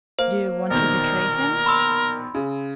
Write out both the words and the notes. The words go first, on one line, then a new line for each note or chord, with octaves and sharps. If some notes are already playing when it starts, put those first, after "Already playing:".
Do you want to betray him?
A#3 C5
A#1 B2 D#3 A#4
B5 C6 E6
C#3